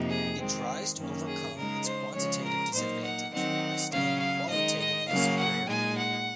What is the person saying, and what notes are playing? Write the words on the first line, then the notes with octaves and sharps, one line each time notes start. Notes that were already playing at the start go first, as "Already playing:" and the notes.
It tries to overcome its quantitative disadvantage by staying qualitatively superior.
Already playing: F2 C3 F3 A#3 D#4
G#4
D#3 G#3 C4
F#2 D#3 A#3 C#4
G#4
C#3 G#3 D#4 A#4
C5
C#3 F3 G#3 C#4 C#5
A#4
A#2 F#3 A#3 D#4 C5
F#5
D#3 F#3 C4 D#4 F#5
C#3 F#3 C#4 F5
F5
D#3 G#3 D#4 D#5
D#5
C#3 F#3 A#3 C#4 F5
F#5
A#2 G#3 D#4 G#5
F#5